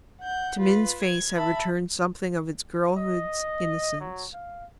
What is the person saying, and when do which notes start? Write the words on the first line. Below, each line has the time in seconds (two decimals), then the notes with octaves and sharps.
To Min's face had returned something of its girlhood's innocence.
0.21 F#5 G6
0.59 F4 B4
1.02 G#6
1.37 E5 A5 B5
2.98 D#5
4.00 F#3
4.33 F5